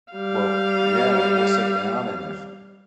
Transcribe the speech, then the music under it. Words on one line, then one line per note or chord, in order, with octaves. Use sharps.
Well, yeah, like we'll sit down and if,
G3 F5